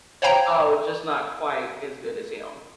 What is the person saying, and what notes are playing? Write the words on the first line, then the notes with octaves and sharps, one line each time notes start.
Oh, just not quite as good as him.
C5 C#5 F5 G5 A#5